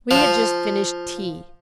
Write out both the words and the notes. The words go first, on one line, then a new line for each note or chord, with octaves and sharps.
We had just finished tea.
F3